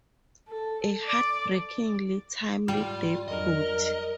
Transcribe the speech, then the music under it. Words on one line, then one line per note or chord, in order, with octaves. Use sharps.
A heartbreakingly timely debut.
A4
D5
G#2 G3 F4 G5
F2 F#3 D4 A#4 D#5